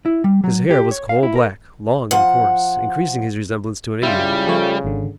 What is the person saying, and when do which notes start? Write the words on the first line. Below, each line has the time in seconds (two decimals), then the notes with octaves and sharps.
His hair was coal black, long and coarse, increasing his resemblance to an Indian.
0.06 E4
0.24 G3
0.44 F#3
0.70 G4
0.91 C#5
1.09 F5
1.23 E4
1.35 A#4
2.11 F3 F#5
4.03 C#3 G3 E4 F4
4.47 F3 A3 C#5
4.84 G#1 D3